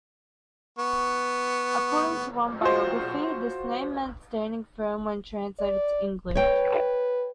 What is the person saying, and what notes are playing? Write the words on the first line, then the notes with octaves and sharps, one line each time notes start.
According to one biography, this name meant "standing firm" when translated to English.
B3 C#6
F4 F#4 C5
D5
B4 C#5 G5